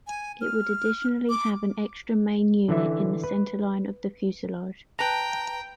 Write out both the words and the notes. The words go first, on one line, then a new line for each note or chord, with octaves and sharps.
It would additionally have an extra main unit in the centerline of the fuselage.
G#5
F6
D6
D3 E3 E5
B4
B4 G5 A5 A#5